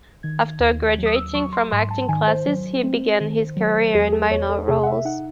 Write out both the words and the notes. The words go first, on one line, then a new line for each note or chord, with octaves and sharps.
After graduating from acting classes, he began his career in minor roles.
D#3 G#6
D#2
F#3
D#6
E6
F#3 C#6
C6
G#2 C6
A5
D#3 G#5
C5
F#3
C4
D#3
F#3
E2 G#4
A4
E2 C#5
A4
C3 G#4
F#5
E5
D#4 F#5